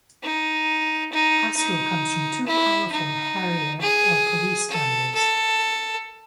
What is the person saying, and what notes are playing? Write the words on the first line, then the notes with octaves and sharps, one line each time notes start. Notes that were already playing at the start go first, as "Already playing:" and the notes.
Pasco comes from two powerful "harrier", or police, families.
D#4
D#4
D#4
E4
D#4
G#4
A4
A4